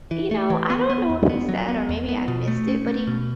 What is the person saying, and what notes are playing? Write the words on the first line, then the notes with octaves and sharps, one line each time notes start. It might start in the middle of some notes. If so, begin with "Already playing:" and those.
you know, I don't know if he said, or maybe I missed it, but he
E3
A3
E3
B3
B3
E2
B3
F#3
B3
E2
B3
B2
A3
C#4
A3
B2